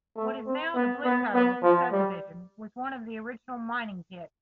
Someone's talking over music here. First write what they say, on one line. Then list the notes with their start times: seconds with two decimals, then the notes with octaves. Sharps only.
What is now the 'Blue Cove' subdivision, was one of the original mining pits.
0.17 A3
0.46 C4
0.75 B3
1.04 B3
1.34 B3
1.63 F3
1.92 G3